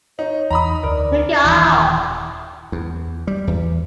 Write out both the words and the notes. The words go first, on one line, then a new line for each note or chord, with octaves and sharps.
Take it off!
D#4 C#5
E2 D#4 A#5 B5 D#6
D2 A#4 D5
D#1 D#2 E3 E4
E2
G3
E2